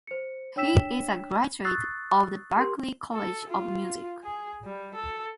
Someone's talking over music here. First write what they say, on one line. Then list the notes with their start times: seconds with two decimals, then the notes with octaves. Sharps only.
He is a graduate of the Berklee College of Music.
0.07 C5 C#7
0.56 D4 C#5 G5 E6 B6 E7
1.65 C#6 D#6 E6 F#6 A6 C7
2.57 G4 A#4 C6
3.13 A4
3.49 F4
4.24 G#4
4.65 G3
4.94 A4